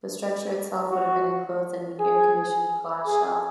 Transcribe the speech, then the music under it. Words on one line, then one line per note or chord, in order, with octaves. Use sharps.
The structure itself would have been enclosed in an air conditioned glass shell.
F#4
G#4
G#4